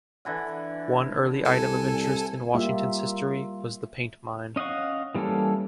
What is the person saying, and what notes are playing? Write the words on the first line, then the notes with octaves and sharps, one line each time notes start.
One early item of interest in Washington's history was the "paint mine".
D3 E3 F#5
C2 A4 G#5
G3 A#3 F4 G4 E5
C#4 D#5 F5 F#5 C#6
E3 G3 A#3 C#4 A4